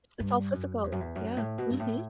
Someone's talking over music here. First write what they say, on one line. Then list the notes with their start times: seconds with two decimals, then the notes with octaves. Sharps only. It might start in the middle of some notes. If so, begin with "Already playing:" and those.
It's all physical. Yeah, mhm.
0.20 G2
0.52 F#2
0.84 E2
0.92 F#2
1.00 E2
1.15 F#2
1.37 A2
1.58 B2
1.70 G2
1.79 A2